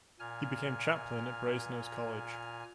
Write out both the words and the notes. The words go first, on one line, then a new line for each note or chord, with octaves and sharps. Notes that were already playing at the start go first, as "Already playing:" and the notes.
He became chaplain at Brasenose College.
A#2 G#5 F6